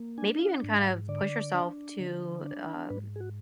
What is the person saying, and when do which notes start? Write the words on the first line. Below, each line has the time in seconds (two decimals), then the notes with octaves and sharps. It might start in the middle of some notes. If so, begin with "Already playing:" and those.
maybe even kind of push yourself to, um,
Already playing: A#3
0.18 D4 G#5
0.39 F5
0.48 F#5
0.64 G#2
0.78 F5
1.08 D3 D5
1.54 D4
2.00 D3
2.45 D4
2.90 G#2 B4
3.16 G#4
3.20 F#4